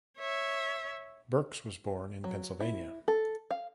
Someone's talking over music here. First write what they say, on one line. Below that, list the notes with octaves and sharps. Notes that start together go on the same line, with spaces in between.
Birx was born in Pennsylvania.
C#5 E5
F#3
E4
A4
F5